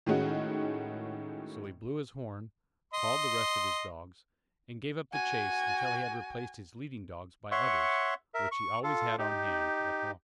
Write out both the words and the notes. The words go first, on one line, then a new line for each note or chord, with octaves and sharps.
So he blew his horn, called the rest of his dogs, and gave up the chase until he had replaced his leading dogs by others, which he always had on hand at home.
A2 D#3 G#3 C#4 D#4 F#4
D#5 C6
F#4 G#5
C#5 E5 F#5 C6 C#6
A#4 E5
C#6
F4 A4
D#4 G4